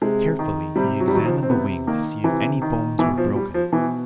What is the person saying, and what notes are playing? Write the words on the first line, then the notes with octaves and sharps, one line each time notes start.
Carefully he examined the wing to see if any bones were broken.
C3 G#3
D#3
C3 G3
F#3
G3
D#3 F#3
F3
C4
C3 B3
D#3 A#3
C3 E3
D#3
B2 E3
F3
G3
F3
B2 E3